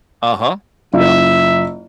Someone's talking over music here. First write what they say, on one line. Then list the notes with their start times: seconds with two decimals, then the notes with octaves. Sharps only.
Uh-huh, yep.
0.93 F#1 F4 E5